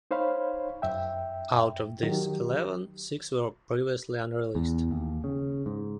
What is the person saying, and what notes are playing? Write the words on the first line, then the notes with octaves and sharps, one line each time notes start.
Out of these eleven, six were previously unreleased.
D#4 C5 C#5 F5 B5
F#2 E5 G5
D#3 F#3 G4
E2
D#2
C#3
G#2